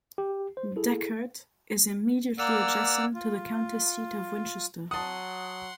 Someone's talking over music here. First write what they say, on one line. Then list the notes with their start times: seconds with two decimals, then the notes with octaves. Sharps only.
Decherd is immediately adjacent to the county seat of Winchester.
0.18 G4
0.57 C5
0.76 E4 G#4 A4
2.39 A#3 D5 F#5 E6 F6
3.15 F4
4.91 F#3 F#5 A5 C6 D#6